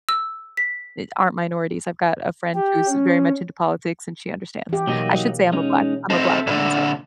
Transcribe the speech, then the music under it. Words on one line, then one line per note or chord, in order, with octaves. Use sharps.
e aren't minorities, I've got a friend who's very much into politics, and she understands. I should say I'm a black I'm a black woman, so
E6
B6
G4
C#4
E3 G4
B2 F#3 A#3 D#4 D#5
G#3 C#4 D#4
C4 D#4 A4 E5
A#2 D3